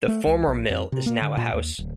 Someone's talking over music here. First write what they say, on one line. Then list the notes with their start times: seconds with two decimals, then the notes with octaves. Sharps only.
The former mill is now a house.
0.08 A3
0.27 C#2
0.47 A#1
0.70 F2
0.92 C3
1.06 A#3
1.22 D3
1.37 A#2
1.53 D#2
1.79 D1